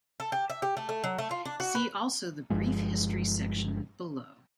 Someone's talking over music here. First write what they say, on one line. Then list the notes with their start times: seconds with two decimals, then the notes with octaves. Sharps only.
See also the brief history section below.
0.20 A4
0.32 G4
0.50 E5
0.62 G4
0.77 A3
0.89 A3
1.04 F#3
1.18 A3
1.31 F4
1.45 D4
1.60 F#4
1.75 B4
2.50 G1 G2 F3 G#3